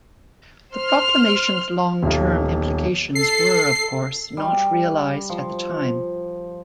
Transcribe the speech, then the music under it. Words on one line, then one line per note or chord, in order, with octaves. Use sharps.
The proclamations' long-term implications were, of course, not realized at the time.
C5 C6 F6
D#1 B1
A4 C7
G3
F3